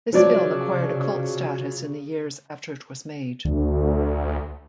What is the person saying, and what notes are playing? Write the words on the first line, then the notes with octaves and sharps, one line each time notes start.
This film acquired a cult status in the years after it was made.
C#3 F3 F#3 D5
D2